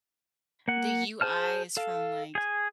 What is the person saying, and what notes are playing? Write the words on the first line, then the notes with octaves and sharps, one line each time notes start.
the UI is from, like,
A#3 F#5
G#4 C5 A5 F6
A4 F5
G#4 G#5